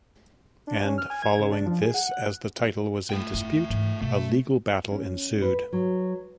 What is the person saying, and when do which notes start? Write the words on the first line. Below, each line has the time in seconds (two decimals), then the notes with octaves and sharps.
And following this as the title was in dispute, a legal battle ensued.
0.67 D4
0.85 C#4
0.98 F6
1.10 G#5
1.22 G#6
1.40 C#3
1.52 D4
1.66 F3
1.82 G#4
1.94 F#5
2.07 F#5
3.10 A3 G5
3.34 F2 E4
3.70 G#2 E3
4.01 B2 A3
4.91 C#4
5.42 B4
5.73 F#3